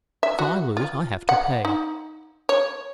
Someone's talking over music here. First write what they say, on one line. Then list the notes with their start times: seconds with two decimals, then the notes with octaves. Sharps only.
If I lose I have to pay.
0.23 E5
0.39 F#4
0.77 F4
1.29 F#5
1.65 D#4
2.49 C#5